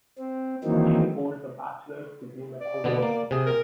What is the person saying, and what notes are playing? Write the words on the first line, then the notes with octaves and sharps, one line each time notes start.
She holds a bachelor's degree in accounting.
C4
D#3 E3 F#3 A#3 C4 D#4
D5
B2 D3 B3
A#3
C3 G#4
A#4